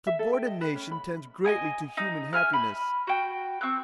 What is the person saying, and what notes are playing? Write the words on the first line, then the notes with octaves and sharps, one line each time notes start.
Subordination tends greatly to human happiness.
E5
A4
G5
D#5
B4
C#4
B5
D#5 G5 G#5 D#6
D#4
E5 G#5 F6 F#6
B5
F#4 G5
C4 C#6 E6 F#6